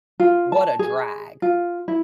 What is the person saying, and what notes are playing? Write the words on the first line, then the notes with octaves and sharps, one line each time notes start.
what a drag.
F4
A5
G#4
F4
E4